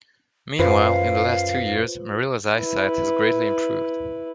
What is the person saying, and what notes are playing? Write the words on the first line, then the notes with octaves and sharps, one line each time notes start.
Meanwhile, in the last two years, Marilla's eyesight has greatly improved.
F#2 F4 B4 C5 F5
E4 B4